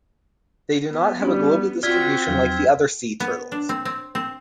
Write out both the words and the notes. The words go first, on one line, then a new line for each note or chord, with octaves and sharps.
They do not have a global distribution like the other sea turtles.
B3
G3 C#4 D4 G4
C4 F4 F#4 D5 F6 G#6 B6
E2 F3 F#3
B3
D4
C4
C4
C4